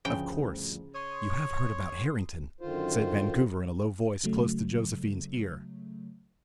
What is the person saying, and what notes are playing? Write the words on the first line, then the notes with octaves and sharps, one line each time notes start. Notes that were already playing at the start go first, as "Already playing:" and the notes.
"Of course you have heard about Harrington?" said Vancouver in a low voice close to Josephine's ear.
D2 G2 C#3 F3 G5
C#5 C6 D#6
F#2 D3 D#3 F4 C5
C#3 F#3 A3